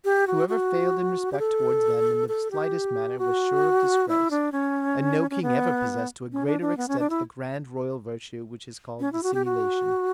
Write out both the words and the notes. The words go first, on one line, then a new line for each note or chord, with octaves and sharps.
Whoever failed in respect towards them in the slightest manner was sure of disgrace, and no king ever possessed to a greater extent the grand royal virtue which is called dissimulation.
G4
F#4
F#4
G4
A4
A4
G4
F#4
E4
D4
C#4
C#4
B3
C#4
D4
D4
B3
C#4
D4
E4
C#4
E4
F#4
G4
F#4